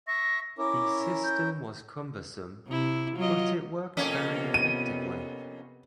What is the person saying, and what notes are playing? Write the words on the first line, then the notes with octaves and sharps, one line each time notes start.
The system was cumbersome, but it worked very effectively.
E5 C#6 A#6
C#4 E4 A#4 D6
G6
C3 E4
F#3 F4 D#5
F2 C3 A#3 B3 C#4
D#7